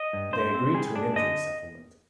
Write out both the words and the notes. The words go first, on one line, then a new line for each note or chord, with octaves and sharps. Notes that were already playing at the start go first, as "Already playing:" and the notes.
They agreed to an injury settlement.
Already playing: D#5
G2
G2 C5
C4
G3 G#4
D4
D3 D#5